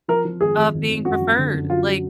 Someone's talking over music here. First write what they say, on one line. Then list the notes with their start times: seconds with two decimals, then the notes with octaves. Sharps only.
of being preferred. Like,
0.08 F3 A#4
0.25 F3
0.41 G#1 G#4
0.57 G#1
0.74 G#1
0.89 G#1
1.05 F#2 F#4
1.21 F3
1.38 D3
1.54 F#2
1.70 F#3 F4
1.86 F#3